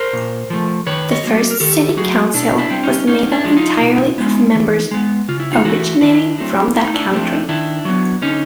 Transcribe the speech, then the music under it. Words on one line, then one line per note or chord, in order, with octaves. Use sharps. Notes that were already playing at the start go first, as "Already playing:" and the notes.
The first City Council was made up entirely of members originating from that country.
Already playing: A#4 C5
A#2
F3 A3
D#3 B4 C#5
C#5 D#5
F#3 A#3
A#4
D#3 G4 A4
F#3 A3 F#4 G#4
B2 D4 E4
D4 E4
G3 C4
C#4 D#4
A2 C#4 D#4
D4 E4
F3 G#3
E4
D#4 F4
B2
G#3 B3
E3
G#3 B3
C#3 F4
E4
D#4 F4
E3 A3 E4 F#4
D#3 D4 E4
F#3 A3 C4
A2 E4
D#4
D4 E4
F3 A3 C4
D#3 D4 E4
F#3 B3
D3 C#4 D#4